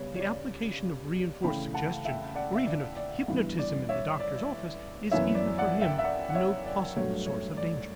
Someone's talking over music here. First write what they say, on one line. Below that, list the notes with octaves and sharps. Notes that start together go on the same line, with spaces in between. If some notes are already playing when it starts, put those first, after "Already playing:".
The application of reenforced suggestion or even of hypnotism in the doctor's office is even for him no possible source of danger.
Already playing: C#3 G3 B3 C#5
C#5
D5
C#3 E3 A3 G5 B5
F#5 A5
E5 G5
D5 F#5
E5
D5
D5
G2 E3 B3
D5
C#5 E5
D5
F#2 E3 B3 C#5 E5
D5
D5 F#5
E5 G5
E5
D5 F#5
F#5
C#5 E5
D5
G2 F#3 A3 C#5
C#5
D5